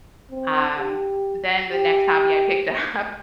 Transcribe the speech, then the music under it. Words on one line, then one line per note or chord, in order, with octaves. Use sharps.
um, then the next hobby I picked up
C4
G4
G4